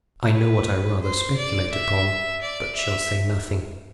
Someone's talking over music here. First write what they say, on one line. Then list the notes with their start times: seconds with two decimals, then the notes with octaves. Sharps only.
I know what I rather speculate upon, but shall say nothing.
0.33 B4
1.02 C5
1.37 D5
1.72 E5
2.41 D5
2.76 E5